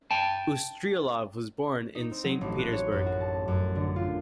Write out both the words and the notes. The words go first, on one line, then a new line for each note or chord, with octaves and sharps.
Ustryalov was born in Saint Petersburg.
G5 A5
D#4
C4
F#3
A1
F#6
C#5
F#2
F#4
A5
F#2
D3
F4